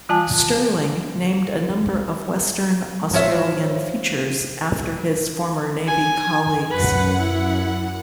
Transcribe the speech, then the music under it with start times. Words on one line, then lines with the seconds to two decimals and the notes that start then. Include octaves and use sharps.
Stirling named a number of Western Australian features after his former navy colleagues.
0.09 E3 G3 F4 D5 G#5 A5
3.13 F3 C#5 E5
5.88 G#5
6.71 F#2 B4 F#5
7.20 E4